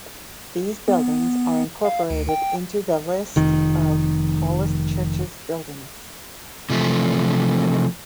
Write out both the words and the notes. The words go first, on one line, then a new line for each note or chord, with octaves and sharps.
These buildings are incorporated into the list of tallest churches buildings.
B3
F5
D2
G5
F1 D#3
C3 E3 F3 A3